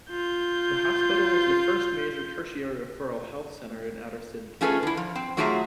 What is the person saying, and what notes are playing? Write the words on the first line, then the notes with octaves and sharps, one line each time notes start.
The hospital was the first major tertiary referral health centre in outer Sydney.
F4 G6
A3 C#4 F4 G#4 A4 B4
D3 E4
F3
C4
F#3 A3 F4 G#4 E5 A#5